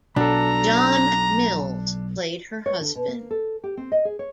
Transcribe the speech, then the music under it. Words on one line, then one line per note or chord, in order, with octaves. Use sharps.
John Mills played her husband.
B1 D4 A4 A#5
C#5
D3
B2
A#3
A4
G4
C4
D#5
G#4
C#5